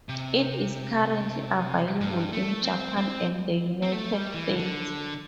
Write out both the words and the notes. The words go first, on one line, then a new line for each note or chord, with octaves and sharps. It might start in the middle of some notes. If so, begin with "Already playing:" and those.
It is currently available in Japan and the United States.
C3
G2
A3
C4
C4
C4
A3
G3
E3
D3